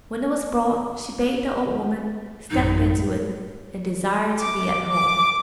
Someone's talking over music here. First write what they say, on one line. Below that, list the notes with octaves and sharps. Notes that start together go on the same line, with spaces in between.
When it was brought she bade the old woman step into it and desire to be at home.
A1 F#2 D#4
D6
D6